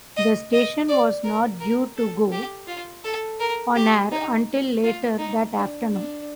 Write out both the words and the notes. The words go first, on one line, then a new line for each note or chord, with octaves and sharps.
The station was not due to go on air until later that afternoon.
D#5
D#5
D5
A#4
A#4
A4
G4
F4
A4
A#4
G4
D#4
F4
D#4
D4
D4